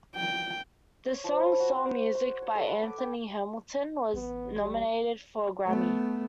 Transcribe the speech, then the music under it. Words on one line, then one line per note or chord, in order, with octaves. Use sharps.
The song "Soul Music" by Anthony Hamilton was nominated for a Grammy.
G5
C#5
F3
B5
F#4
F#4
C5
C6
C#5
A4
B4
D6
G5
A1 B3
G3
A3 B3